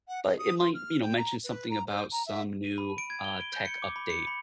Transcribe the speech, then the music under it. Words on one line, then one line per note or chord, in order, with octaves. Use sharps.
but it might, you know, mention something about some new, uh, tech update,
F#5
D#5
D#6
C6
F6
G5
A#5
B4
A#5
C5
A#5
E5
D#7
B5
D7
G#6
G7
D7
G6
C#7
D6
B5
C#7
B5